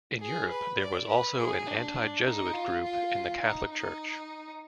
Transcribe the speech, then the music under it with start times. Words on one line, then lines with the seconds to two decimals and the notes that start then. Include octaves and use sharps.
In Europe there was also an anti-Jesuit group in the Catholic Church.
0.21 G#4
0.50 B4
0.80 D5
1.08 B4
1.38 G#4
1.67 D4
2.25 D#4
2.54 F4
2.83 F4
3.42 D#4
3.71 D#4